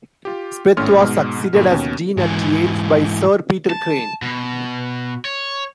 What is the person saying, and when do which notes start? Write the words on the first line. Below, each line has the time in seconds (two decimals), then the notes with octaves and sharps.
Speth was succeeded as Dean at Yale by Sir Peter Crane.
0.25 F4 G4
0.77 G#1 A2 C#4 C6 F6
0.98 G#2 B2
1.53 G2 A#2 D3
1.70 D#2 B2 C#4
2.17 G#2 E3
3.70 A5
4.22 B2
5.25 C#5